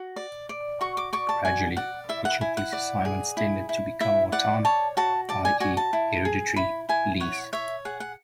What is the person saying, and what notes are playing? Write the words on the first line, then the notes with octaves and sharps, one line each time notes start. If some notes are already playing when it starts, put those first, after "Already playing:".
Gradually, each of these assignments tended to become a 'watan' i e, hereditary lease.
Already playing: F#4
D5
D5
F#4 C#6
D6
D5 C#6
A5
F#4 G#5
D5 F#5
E4 E5
F#5
E4 G#5
F#5
D5
G#4
E4
E4
E4 E5
D5 F#5
C#5 A5
F#4 A5
D5 A5
G#5
F#4 G#5
A5
E4
G#4
E4 B5
E4 G#5
C#5 F#5
C#5 E5
G#4 F#5
F#5